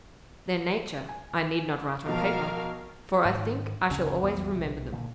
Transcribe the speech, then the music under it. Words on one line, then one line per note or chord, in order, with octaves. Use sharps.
Their nature I need not write on paper, for I think I shall always remember them.
G#5
B1 F3 F#4 A#4 F5 A5
G#2 D#3
F#1 D2 C#3 C#4
B1 F2 E3 B3
B1 C3
A#2 D3 A#3